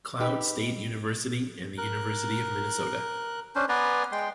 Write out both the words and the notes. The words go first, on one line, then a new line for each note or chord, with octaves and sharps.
Cloud State University and the University of Minnesota.
D#4 G4 B4
A#4 F#6
C#4 D4 C5
B3 B4 D5 G#5 A#5 C6
G#3 G5 C6